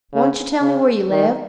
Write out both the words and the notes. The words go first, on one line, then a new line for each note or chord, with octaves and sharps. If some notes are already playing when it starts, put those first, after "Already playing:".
Won't you tell me where you live?
C#3
C#3
D#3